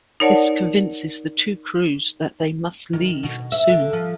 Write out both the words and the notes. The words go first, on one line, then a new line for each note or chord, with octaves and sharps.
This convinces the two crews that they must leave soon.
D#4 A#4 C#5 D5 F#5 A5
D#3
B2
E5
D3
F3